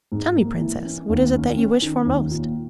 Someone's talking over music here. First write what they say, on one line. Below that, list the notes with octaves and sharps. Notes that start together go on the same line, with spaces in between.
Tell me, Princess, what is it that you wish for most?
G#2
A#3
E3
C#4
D#2
C#4
C#4
D#3
D#2
A#2